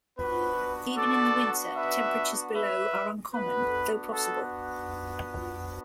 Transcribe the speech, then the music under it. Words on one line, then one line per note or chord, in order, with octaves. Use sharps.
Even in the winter, temperatures below are uncommon, though possible.
B3 D4 F#4 B4
A4 D5
B4 E5
B4 E5
B3 D4 F#4 B4
A4